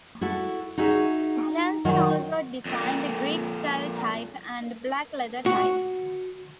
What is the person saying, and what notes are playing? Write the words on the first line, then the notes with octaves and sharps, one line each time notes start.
Jenson also designed Greek-style type and black-letter type.
E4 F#4 A4
D#4 F#4 G#4 E5
D#3 F#3 F4
F2 A#2
F#4